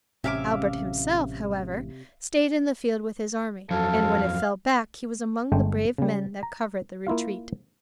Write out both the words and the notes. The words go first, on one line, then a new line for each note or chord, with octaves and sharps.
Albert himself, however, stayed in the field with his army and when it fell back he was among the brave men that covered the retreat.
A1 F#2 C3 C#4 E5 F5 G#5 D6
F2 F#3 A4 F5
G1 G#3 A3 G5
C#3 G3
A#5
A#3 E4 F4 F5